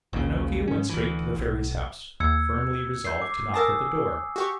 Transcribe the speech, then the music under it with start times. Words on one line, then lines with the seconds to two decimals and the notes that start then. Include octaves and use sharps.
Pinocchio went straight to the Fairy's house, firmly resolved to knock at the door.
0.13 A#1 D#2 A#2 C#3
0.68 G#2 C#4
0.90 D2 E3
1.36 B1
2.20 D#2 E6 G#6 C#7
3.05 G6 C7
3.22 D6
3.54 A#4 G#5 A5 D#6 E6 A#6
4.36 F#4 G4 C#6